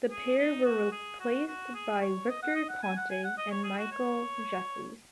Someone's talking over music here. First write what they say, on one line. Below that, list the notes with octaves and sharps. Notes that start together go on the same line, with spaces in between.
The pair were replaced by Victor Conte and Michael Jeffries.
G#4
D#4
F#4
G#4
F#4
F#4
G#4
C#5
D#5
F#5
D#5
F#5
G#5
F#5
G#5
F#5
D#5
C#5
G#4
F#4
C#5